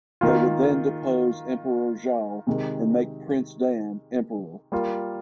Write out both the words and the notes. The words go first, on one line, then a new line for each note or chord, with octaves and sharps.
They would then depose Emperor Zhao and make Prince Dan emperor.
D#3 A#3 F4
C3 D#3 G#3
G3 A#3 F4